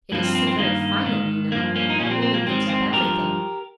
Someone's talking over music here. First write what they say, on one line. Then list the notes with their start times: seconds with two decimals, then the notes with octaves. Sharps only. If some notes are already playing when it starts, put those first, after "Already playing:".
It is so very final, you know. A woman gives up everything.'
0.12 G2 F3 A#3
0.24 C4
0.35 C4
0.47 C4
0.58 G2 D#3 A#3
1.05 G#2 D#3
1.52 G2 F3 A#3
1.76 A#3 C#4
1.90 D#4
1.99 A#2 F3 A#3 C#4
2.11 C4
2.22 C4
2.34 A#3
2.46 G#2 D#3 C4
2.69 C4
2.92 G2 F3 G4 A#4